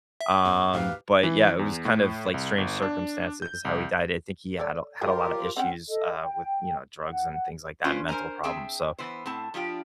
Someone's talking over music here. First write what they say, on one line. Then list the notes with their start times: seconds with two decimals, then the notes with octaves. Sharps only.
um, but yeah, it was kind of, like, strange circumstances how he died, I think he had a had a lotta issues, uh, with, you know, drugs and things like that, mental problems, so,
0.21 E5
0.45 E2
0.73 D2 G#2 G4 B4 F5
1.23 E3
1.59 E2
1.85 A2
2.34 C2
2.58 G1
2.82 D4
3.42 G6
3.65 C2
4.59 A4 C#5 D5
5.01 F3 F#3 F4 G4 G#4 A#4
5.57 C4 C#4 F#5 G5
5.89 A4 D#5
6.20 G5
7.07 F#5
7.84 C#4 D4 F4 F#4 B4 C5
8.08 A#4 C5 D#5 G#5 A#5
8.43 C4 G#4 E5 G5 A5
8.98 E3 B3 C5
9.26 A2 C4 F#5 A5
9.54 F3 D4 F4 G4